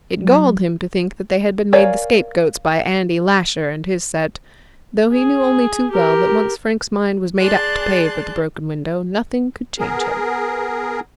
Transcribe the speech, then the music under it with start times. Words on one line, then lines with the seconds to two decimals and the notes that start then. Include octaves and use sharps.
It galled him to think they had been made the scapegoats by Andy Lasher and his set, though he knew only too well that once Frank's mind was made up to pay for the broken window nothing could change him.
0.20 F#3
1.73 A#4 C#5 D5 F5 G#5
5.12 G#4
5.91 G4 A#4
7.39 G#4 D5 A5 C6 F#6
9.78 B3 G#4 A#4